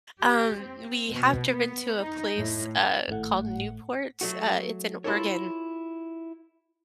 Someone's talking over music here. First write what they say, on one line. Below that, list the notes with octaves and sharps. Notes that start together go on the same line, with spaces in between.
Um, we have driven to a place, uh, called Newport, uh, it's in Oregon,
G4
C4
B2
B3
D#4
A2
G#1 A2 A3 F#5
F#3 A3 F#4
E4 F4 G4 A4 A#4 C#5